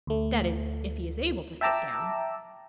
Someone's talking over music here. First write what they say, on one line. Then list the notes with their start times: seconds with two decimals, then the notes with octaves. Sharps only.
That is, if he is able to sit down.
0.07 D2 A3
1.61 E5 G5 A5 A#5 D6 E6